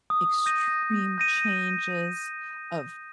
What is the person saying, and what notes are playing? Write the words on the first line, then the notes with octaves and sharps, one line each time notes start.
extreme changes of
D#6
G6 A#6 D#7
D#6
G6 A#6 D#7